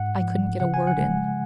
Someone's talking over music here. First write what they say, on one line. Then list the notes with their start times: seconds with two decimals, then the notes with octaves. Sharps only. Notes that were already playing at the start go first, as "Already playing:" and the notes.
I couldn't get a word in.
Already playing: G#2 F#5
0.21 F3
0.60 C#3 F#5
0.74 G#5
0.87 F#5
0.98 G#3